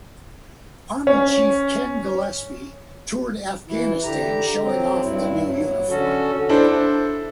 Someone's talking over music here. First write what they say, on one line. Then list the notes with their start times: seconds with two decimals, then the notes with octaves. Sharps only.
Army chief Ken Gillespie toured Afghanistan showing off the new uniform.
1.07 C#4
3.69 E3 E4
4.04 D3 G4 A#5
4.62 F#3 C4
5.03 G2 E4
5.45 F#3
5.90 D3 C#4 F#4 A4
6.49 D4 E4 A4 C5